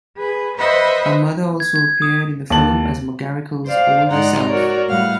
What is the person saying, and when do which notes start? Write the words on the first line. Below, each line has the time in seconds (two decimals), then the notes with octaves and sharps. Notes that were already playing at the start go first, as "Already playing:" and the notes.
Her mother also appeared in the film as McGarricle's older self.
0.18 G#4 B4
0.57 B4 C5 D#5 E5 F#5
1.60 G#6
1.76 G#6
2.02 D#6
2.50 D#2 A5 F#7
3.67 C5 D5 F5
4.09 G#2 D#4 D5 F#5 A#5 C6
4.48 F#4 A#4 C#5 D5
4.88 A2 G3 F5 F#5 F6